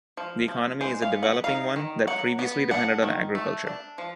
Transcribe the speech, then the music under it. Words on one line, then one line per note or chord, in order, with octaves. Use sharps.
The economy is a developing one that previously depended on agriculture.
F3
F3
G#3 C5
F5
B3
F#5
D#4 F5
D#3
F#3 F#5
B3
D4 F#5
D#3
A3
D4
F3